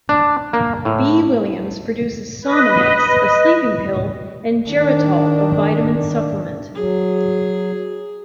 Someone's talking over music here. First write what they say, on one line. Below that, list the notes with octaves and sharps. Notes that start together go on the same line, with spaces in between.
B. Williams products Sominex, a sleeping pill, and Geritol, a vitamin supplement.
D4
A#3
A2
B4 D#5
D#3 D4
F#3 G#4